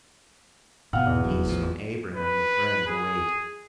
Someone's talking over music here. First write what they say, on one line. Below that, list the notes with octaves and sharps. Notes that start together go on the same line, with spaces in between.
Peace on Abraham the Friend await!
G#2 B2 B3 F5 F#5 F6
E2
F1 F#3
A1 F3
B4
G#4